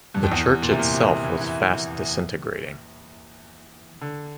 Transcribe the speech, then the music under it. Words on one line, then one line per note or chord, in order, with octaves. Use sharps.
The Church itself was fast disintegrating.
G2
F2
E2
A#2
C3
A#2
C3
E3
E3
D3